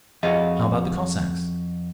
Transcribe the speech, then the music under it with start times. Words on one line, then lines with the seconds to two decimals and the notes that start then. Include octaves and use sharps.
"How about the Cossacks?"
0.23 F2 F#4 G#4 D#5 F5